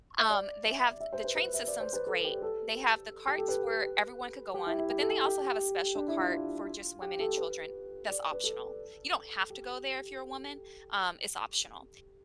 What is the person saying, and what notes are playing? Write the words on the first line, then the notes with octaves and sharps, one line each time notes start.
Um, they have the train system's great. They have the carts where everyone could go on, but then they also have a special cart for just women and children that's optional. You don't have to go there if you're a woman, um, it's optional.
E5
D5
E5
E5
C5
B4
B4
E5
D5
C5
B4
A4
G4
A4
G4
A4
B4
G4
E4
E4
G4
A4
G4
G4
D4
E4
F4
G4
A4
B4
D5
B4
A4
G4